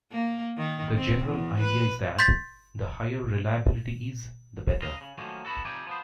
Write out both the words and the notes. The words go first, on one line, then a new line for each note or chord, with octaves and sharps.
The general idea is that, the higher reliability is, the better.
A#3
D#3
C4
E2
B4
C6 G6 A6 B6
C#3 A#4 D#5 F5
C#3
D#3 F3 F#3 A3 A#3 C#4
B3 E4 F#4 A4
C3 F3 G3 D#4 D5 G#5
F3 B3 C5